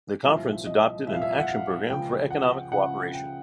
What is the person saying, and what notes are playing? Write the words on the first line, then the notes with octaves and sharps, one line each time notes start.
The conference adopted an Action Programme for Economic Co-operation.
C2 A#2 F3 E5
D#5
C2 A#2 F3 E5
F5
E5
F#5
F5
C#2 C#3 F3 G5
F#5
C#2 C#3 F3 F#5
G5